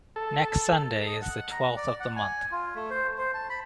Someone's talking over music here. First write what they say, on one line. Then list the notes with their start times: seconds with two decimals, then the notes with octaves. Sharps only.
Next Sunday is the twelfth of the month.
0.16 A4
1.06 D#5
1.22 F#5
1.52 A#5
1.77 D5
2.00 F#5
2.16 G#5
2.52 F4
2.75 A3
2.90 C5
3.18 C5
3.34 A5
3.50 B5